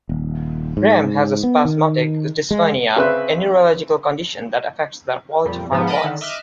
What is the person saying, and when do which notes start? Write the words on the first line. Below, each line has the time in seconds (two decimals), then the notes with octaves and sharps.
Rehm has spasmodic dysphonia, a neurological condition that affects the quality of her voice.
0.09 D#1
0.77 G#2
1.43 B3
1.65 D#3
2.51 G#3
2.96 C#3 C4 B4 E5 C6 F#6
5.45 F2 A#2 G3
5.72 G#2 F3 B3
5.87 A#4 B4 D#5 F#5 A5 B5
6.04 D3 D#3
6.21 D#5 E5 D6 F6 F#6